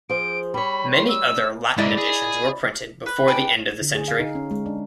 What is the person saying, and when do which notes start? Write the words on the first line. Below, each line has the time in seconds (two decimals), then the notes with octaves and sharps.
Many other Latin editions were printed before the end of the century.
0.09 F3 G#4 C5 D7
0.54 G3 C#5 B5
0.91 C6
1.08 E6
1.78 G#2 E4 D5 D#5
1.98 G#4
3.06 B4
3.28 D4 G#4 B4 G5
3.81 D3
3.95 G#4
4.08 F5
4.19 D#4
4.35 C#4
4.51 G#3
4.66 D4